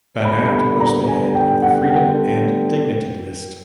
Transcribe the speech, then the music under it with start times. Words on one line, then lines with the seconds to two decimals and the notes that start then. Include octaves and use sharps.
Banat was the head of the Freedom and Dignity List.
0.25 D3 G3 B3 B5
0.53 B5
0.80 A#5
1.08 G#5
1.35 G5
1.62 F#5
1.90 G5